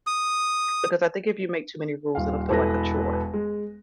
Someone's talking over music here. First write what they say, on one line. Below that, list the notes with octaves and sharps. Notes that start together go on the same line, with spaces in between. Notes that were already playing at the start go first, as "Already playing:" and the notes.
because I think if you make too many rules, it'll feel like a chore.
D#6
D#1 F5
E1 E4 A4 B4 A#6
G#3